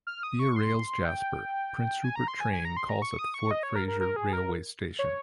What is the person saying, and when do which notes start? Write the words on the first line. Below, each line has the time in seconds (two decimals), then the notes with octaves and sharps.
Via Rail's Jasper - Prince Rupert train calls at the Fort Fraser railway station.
0.07 F6
0.23 D#6
0.39 C#6
0.56 C6
1.05 G5
2.04 G#5
2.16 A#5
2.28 C6
2.40 G#5
2.53 G#5
2.65 A#5
2.77 C6
2.89 A#5
3.02 C#6
3.19 D#6
3.34 C#6
3.51 D#5
3.63 C#5
3.76 A#4
3.88 A#4
4.00 A#4
4.16 G#4
4.33 A#4
4.99 C#5